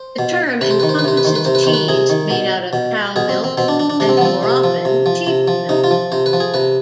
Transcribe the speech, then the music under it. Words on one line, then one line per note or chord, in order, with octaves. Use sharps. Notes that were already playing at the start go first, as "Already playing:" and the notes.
The term encompasses cheese made out of cow milk and more often, sheep milk.
Already playing: C5
B2
C3 B4
C5
D#3 B4
C5
B4
C3 C5
B4
D#3 C5
B4
C3 C5
B4
D#3 C5
B4
C3 G#4
D#3
B2
B2
B2 G#4
C4
C4
B2 C4
D4
D4
D4
C3 D4
C4
B3
F3 C4
C3
F3
C3
F3
C3
F3
C3 D#4
F4
F3
C3 C5
B4
F3
G#4
C3 B4